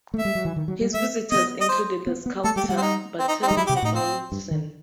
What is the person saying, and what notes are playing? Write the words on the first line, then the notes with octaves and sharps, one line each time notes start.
His visitors included the sculptor Bertel Thorvaldsen.
A3 E5
G3
F#3
E3
D#3
F#3
G3
A3 E5
B3 D#5
D#5
C5
B3
B3
A3 A4
G3 G4
A3
G3 F#4
C4
D#4
C4
D#4
C4
D#4
G3
F#3 E4
G4
C3
F#4
A2 D#4
C4
G2
D#3